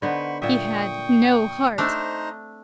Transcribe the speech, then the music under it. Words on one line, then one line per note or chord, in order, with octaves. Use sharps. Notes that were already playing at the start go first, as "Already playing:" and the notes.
He had no heart.
D3 B3 D#4 C5 B5 C#6
A#2 E5 G5 C#6 D#6
A3 C4 D4 D#4 C5 A#5